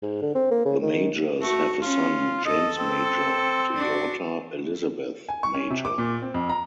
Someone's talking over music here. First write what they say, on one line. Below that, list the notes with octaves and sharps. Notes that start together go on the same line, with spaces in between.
The Majors have a son, James Major, and a daughter, Elizabeth Major.
G#2
D3
C4
A#3
C#3
D#3
A3 F#4
C#4 F4
A4 D#5
C4
D4 F#4
G#5
C#6
C#4
C3
D6
A#2
C4
F2
A#5